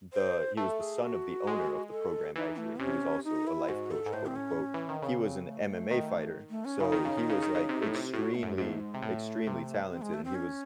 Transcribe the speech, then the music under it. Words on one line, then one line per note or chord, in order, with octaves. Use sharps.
the he was the son of the owner of the program, actually. He was also a "life coach", quote unquote. He was an MMA fighter. So, he was, like, extremely, extremely talented, and he was
C5
A3 A4
G#4
F#4
G#3
A4
E3 D#4
A3
C3 C#4
D#4
E4
G#2 F#4
A4
G#2
A2 C5
C4
C#4
E3
D#3
C#3 C4 C#4
A3
A3
D#3
A3
C#4
C#3 D#4 E4
D#3
C#3
D#3
C#3
D#3
C#3
C3
A2
C3
A2 F#4
A3
F#2
G#2 A3
G#3
C3
A2 A3
C3
C4
G#3
A3
C4
C#4